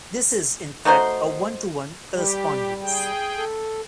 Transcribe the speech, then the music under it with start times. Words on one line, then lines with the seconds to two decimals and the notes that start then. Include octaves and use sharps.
This is in fact a one-to-one correspondence.
0.85 A3 D#4 F#4 C5
2.15 G3 G4
2.82 G#4 G5
3.37 A4